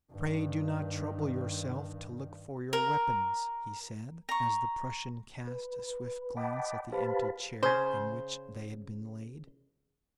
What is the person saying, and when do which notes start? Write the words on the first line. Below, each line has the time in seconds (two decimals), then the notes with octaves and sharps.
"Pray do not trouble yourself to look for your weapons," he said, as the Prussian cast a swift glance at the empty chair in which they had been laid.
0.13 G2 D#3
2.73 A#4
4.29 A#5 C#6
5.47 B4
6.37 D#5 F#5 G5 A5 B5 D6
6.92 G4 B4 C5 F5 A5 B5
7.63 C#3 C5 G#5